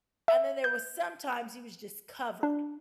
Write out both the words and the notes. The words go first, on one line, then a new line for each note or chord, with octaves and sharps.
And then there was sometimes he was just covered,
E5
G6
D4